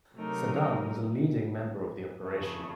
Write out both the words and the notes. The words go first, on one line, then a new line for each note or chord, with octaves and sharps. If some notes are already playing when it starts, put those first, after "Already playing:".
Saddam was a leading member of the operation.
C3 F#3 A3 D#4 A#4
F2 C#3 A3